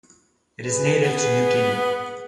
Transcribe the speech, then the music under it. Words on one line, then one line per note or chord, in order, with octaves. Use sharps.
It is native to New Guinea.
G#4 B4
B3